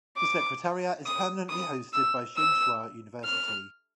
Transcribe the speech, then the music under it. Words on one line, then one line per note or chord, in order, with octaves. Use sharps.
The Secretariat is permanently hosted by Tsinghua University.
D6
D#6
D#6
E6
E6
F6